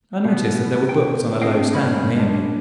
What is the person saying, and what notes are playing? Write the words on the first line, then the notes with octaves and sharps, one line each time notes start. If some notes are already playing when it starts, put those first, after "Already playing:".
I noticed that there were books on a low stand near me.
B2 B3
G5
C4 D4 G#4 D#5 F5 G5
G2 C#4 D#4 B5
G#3 D4